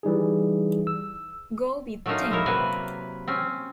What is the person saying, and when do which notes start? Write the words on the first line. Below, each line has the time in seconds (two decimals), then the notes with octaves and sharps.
Go with ten!
0.03 E3 G3 D#4 G#4
0.87 E6
2.06 F#3 A3 A#3 C#4 D#4 F4
2.31 G#3 A#3 E4 A#4 C#5
2.46 C3 F#3 A#3 B4 G#5
3.28 C4 C#4